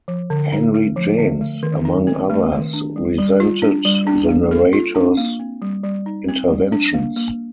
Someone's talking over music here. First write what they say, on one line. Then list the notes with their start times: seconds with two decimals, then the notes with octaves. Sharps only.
Henry James, among others, resented the narrator's interventions.
0.08 F3
0.30 D3
0.52 D#4
0.74 A3
0.96 F3
1.19 D3
1.41 A3
1.63 D#3
1.85 D#4
2.07 C4
2.30 A3
2.52 D#3
2.73 D4
2.96 G3
3.18 G3
3.40 F4
3.62 D4
3.85 G3
4.07 D4
4.29 A#3
4.51 A4
4.73 F4
4.95 D4
5.17 A#3
5.39 C4
5.62 G3
5.84 G3
6.06 D#4
6.28 C4
6.50 G3
6.72 D4
6.94 A#3
7.16 A#3